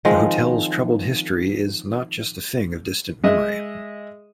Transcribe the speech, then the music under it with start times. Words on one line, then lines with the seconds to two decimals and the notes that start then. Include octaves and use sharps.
The Hotel's troubled history is not just a thing of distant memory.
0.05 D#3 F3 G#3 C4
3.24 G#3 D#5 E5